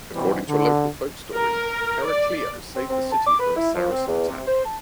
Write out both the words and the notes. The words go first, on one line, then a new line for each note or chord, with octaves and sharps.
According to a local folk story, Eraclio saved the city from a Saracen attack.
B2 E3 G3 B3 C4
D3
A#4
D5
C4
C4
A5
D6
B4
E4
F3
C4
E2
C3
C5
A5